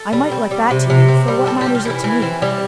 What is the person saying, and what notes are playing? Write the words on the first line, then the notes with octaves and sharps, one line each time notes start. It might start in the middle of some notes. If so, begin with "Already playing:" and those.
I might let that to you, for what matters it to me?
Already playing: A4
G3
C4
G3
C3
C3
C4
G3
C4 A4
G4
G3
F4
E3 E4
E3
C4
G3